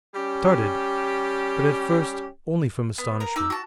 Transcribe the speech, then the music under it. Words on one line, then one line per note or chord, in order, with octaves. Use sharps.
He started, but at first only from astonishment.
G3 C#4 G4
B3
A#4 A#5
D#4 D6 E6
F#4 A5